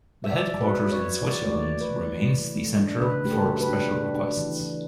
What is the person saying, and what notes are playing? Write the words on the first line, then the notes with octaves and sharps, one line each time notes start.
The headquarters in Switzerland remains the center for special requests.
E5
F#3 D5
F#3
B4
F#3
C#5
F#3
E3 D5
A3 C#5
D5
E3
B4
E3
E3
E3
A3
D4
C#3 B4
A3 G4
A4
F#3
B4
D4
D4
D4
E3
E3